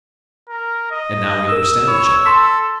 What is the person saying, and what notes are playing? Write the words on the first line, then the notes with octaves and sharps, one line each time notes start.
"And now we understand each other."
A#4
D#5
A#4 D#6 E6
C#5 B5
A4 C6 B6